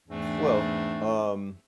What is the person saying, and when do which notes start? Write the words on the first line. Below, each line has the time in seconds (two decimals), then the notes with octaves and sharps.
Well, um,
0.08 E2 G#2 E3 A3 C4 D4